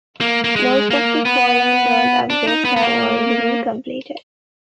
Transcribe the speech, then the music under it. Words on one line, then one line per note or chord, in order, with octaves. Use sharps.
Most of the four-lane road upgrades have already been completed.
A#3
A#3
G#3
A#3
B3
D4
D#4
B3
B3
A#3